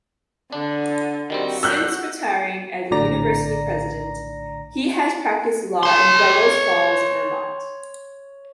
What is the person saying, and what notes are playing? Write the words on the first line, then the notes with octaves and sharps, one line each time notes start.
Since retiring as University President, he has practiced law in Bellows Falls, Vermont.
D3 D4
D#3 G3 C4 F#4
F#2 E6 F#6 G6
A#1 A2 D3 D5 A#5 A#6
C#5 C6